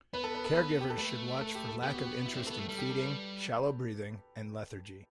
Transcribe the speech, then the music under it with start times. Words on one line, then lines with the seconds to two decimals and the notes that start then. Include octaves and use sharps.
Caregivers should watch for lack of interest in feeding, shallow breathing, and lethargy.
0.13 B3 B4
0.24 A4
0.35 B4
0.45 A4
0.55 B4
0.80 G4
0.90 A4
0.98 A3 B4
1.41 A4
1.55 G4
1.69 A4
1.83 B3 G4
1.94 F#4
2.05 G4
2.26 E4
2.34 D4 G4
2.42 C4
2.47 A4
2.50 B3
2.58 A3 A4
2.68 G3 A4
2.78 G4
2.90 A4
3.00 B4